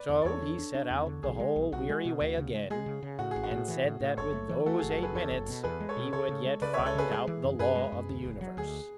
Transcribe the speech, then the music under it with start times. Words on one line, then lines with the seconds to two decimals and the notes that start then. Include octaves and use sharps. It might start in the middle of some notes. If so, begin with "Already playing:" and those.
So he set out the whole weary way again, and said that with those eight minutes he would yet find out the law of the universe.
Already playing: B4 D5
0.09 E2
0.22 D5
0.25 E2 A4 C#5
0.42 D4
0.58 D4
0.75 D4
0.91 E2
1.07 D3
1.23 B1 G#4
1.40 G#3
1.56 B1
1.72 B1 F#4
1.89 G#3
2.05 B2
2.21 D2
2.37 C#3
2.54 G#3
2.70 G#3 G#4
2.86 C#3
3.03 C#3
3.19 A2 F#4
3.31 G#4
3.36 A1
3.43 F#4
3.51 A2
3.68 E3
3.84 A2
4.00 A2
4.17 F#1 A4 C#5
4.33 A3
4.49 E3
4.66 A3 F#4 A4
4.79 G#4
4.83 F#1
4.90 F#4 A4
4.98 F#2 G#4 B4
5.15 E2 A4 C#5
5.31 F#1
5.48 B2
5.63 E2 G#4 B4
5.80 G#3
5.89 A4 C#5
5.97 B2
6.13 C#3 A4 C#5
6.29 C#3
6.45 G#3
6.61 C#3 B4 D5
6.74 C#5 E5
6.79 C#2
6.86 A4 C#5
6.95 C#3 G#4 B4
7.11 G#3 G#4
7.27 E3
7.44 F#2
7.59 F#2 G#4 B4
7.75 G#3
7.92 F#2
8.09 D2
8.25 E1
8.41 F#3
8.57 D2 G#4